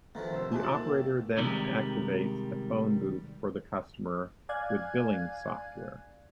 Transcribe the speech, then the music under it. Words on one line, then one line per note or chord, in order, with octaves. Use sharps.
The operator then activates a phone booth for the customer with billing software.
D3 D#3 F3 A3 B4 F5 A#5
C2 A3 C5 E6
B2 A3 D4 E4 G#4 G#5 A5 F#6
A6 E7 F#7
A#3
F#1 G5
C3 D#3 G3 G#3
D5 F5 G#5 F#6 G#6